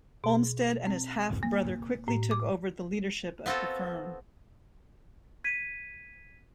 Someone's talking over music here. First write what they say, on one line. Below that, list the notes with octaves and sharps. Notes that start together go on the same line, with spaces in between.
Olmsted and his half brother quickly took over leadership of the firm.
B2
C4
A#3
A2
D6
B3 C4 F4 F#4 A4
G#6 B6 D#7